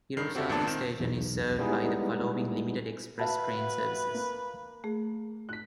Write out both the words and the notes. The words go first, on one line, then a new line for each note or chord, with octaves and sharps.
Hirosaki Station is served by the following limited express train services.
G2 D#3 C7
C4 F#4 G4 A4 E5
G#1 A#2 A3 B3 D4 A5
D#3 C4 E7
B1 E2
G3 G#3 B3 D#4 E4 G#4
F#4 B4 E5 F5 A5
A#3
A3 G#4
F#6 B6